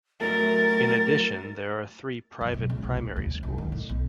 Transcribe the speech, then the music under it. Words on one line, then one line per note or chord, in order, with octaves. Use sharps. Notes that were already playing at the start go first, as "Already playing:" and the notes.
In addition there are three private primary schools.
A2 F#3 E4 A#4 A6
F#2
B2
C#2
C2
A#2
D#2
F#2
C2
D#3
A2
B1